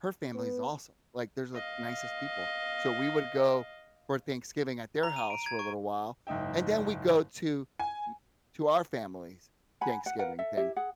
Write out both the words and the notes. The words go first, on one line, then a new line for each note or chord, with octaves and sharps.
her family is awesome, like, there's the nicest people, so we would go for Thanksgiving at their house for a little while, and then we go to m to our family's Thanksgiving thing.
B3
D#5 F5
A#5
D#7
D7
G#6
C#6
F#1 G#2 D#4 E5 G5
G#5
F#5 G#5 A#5 B5
F#5
A#4 B4 F5 F#5
A4 E5
E4 G4 E5
G#4 F#5